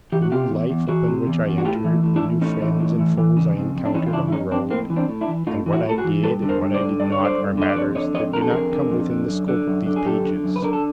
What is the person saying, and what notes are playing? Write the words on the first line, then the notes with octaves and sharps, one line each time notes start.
The new life upon which I entered, the new friends and foes I encountered on the road, and what I did and what I did not, are matters that do not come within the scope of these pages.
E3 G4
F#4
C3 F4 G4
E2
E2
E3 F#4 G#4
C3
E2
E2
F#4
A2 F4 G4
E3
A2
D4 E4
E3
A2 C#4 D#4
E3
A2
E3
E3
C#3
F2
F2
D4
E3 C#4 D#4
F4
C#3 D4 E4
E4
F2 C#4 D#4
F2 C4 D4
A2 A#3 C4
E3
C4 D4
A2
D4 E4
E3
A2 D#4 F4
E3
E4 F#4
A2 A4
F#4 G#4
E3
G2 A4 B4
D3
A#4 C5
G2
C5 D5
D3
G2 D5
C#5
D3
C5 D5
G2
D3 D#5
D5
F2 B4 C#5
D3 C#5 D#5
F2 C#5 D#5
D3 A#4
A4
F2 G#4 A#4
D3
F2
D3
F#2
D3
F#2
D3
G#4
F#2 G4 A4
D3
F#2
B4
D3 A#4
A4